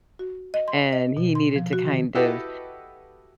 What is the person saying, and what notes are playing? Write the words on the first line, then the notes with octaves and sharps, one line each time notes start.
and he needed to kind of
F#4
D#5
C6
D#5
B2
C6
F3
F#4
D#3
E4 F#4 G4 A4 B4 D#5